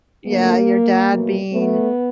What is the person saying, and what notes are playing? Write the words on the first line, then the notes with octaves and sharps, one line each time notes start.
yeah, your dad being
F2 D3 F#3 A3 A#3
B2 F#3 A3
A3 B3